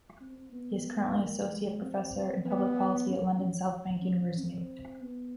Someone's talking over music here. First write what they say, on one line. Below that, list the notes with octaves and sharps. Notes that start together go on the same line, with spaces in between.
He is currently Associate Professor in Public Policy at London South Bank University.
C4
B3
A#3
G#3
C4
B3
C#4
C#4
C#4
C4
B3